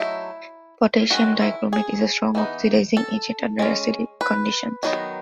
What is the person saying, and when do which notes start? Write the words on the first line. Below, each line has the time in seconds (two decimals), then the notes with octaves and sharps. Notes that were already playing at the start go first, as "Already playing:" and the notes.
Potassium dichromate is a strong oxidizing agent under acidic conditions.
Already playing: F#3 A3 D#4 E4
1.10 D#3 G#3 C#4 F#4
1.42 E4
1.73 G#4
2.35 E3 B3 D#4
2.97 A4
3.59 G#3 C#4
4.21 B4
4.83 D#3 F#3 B3 D#4